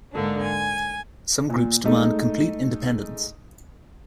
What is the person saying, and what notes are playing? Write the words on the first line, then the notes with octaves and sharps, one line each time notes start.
Some groups demand complete independence.
G#2 D3 A#3 D4
G#5
A#2
G#3 A3 D#4